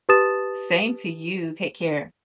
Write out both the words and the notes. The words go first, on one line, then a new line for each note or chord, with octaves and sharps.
Same to you. Take care.
G4 B4 A5 D#6 A6 E7